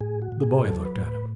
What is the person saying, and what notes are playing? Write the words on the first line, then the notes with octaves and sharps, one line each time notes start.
The boy looked at him.
A2 G#4
F#4
A2
G#4
F#3 A4
B4
A2
B4